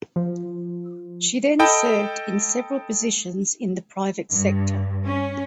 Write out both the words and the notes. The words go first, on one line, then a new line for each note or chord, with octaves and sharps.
She then served in several positions in the private sector.
F3
A4 D#5 G5 A5 B5
G2
C#4